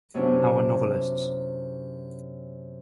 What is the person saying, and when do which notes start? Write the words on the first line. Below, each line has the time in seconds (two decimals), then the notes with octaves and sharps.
Our novelists.
0.14 F#2 C3 B3 C#4 D4 E4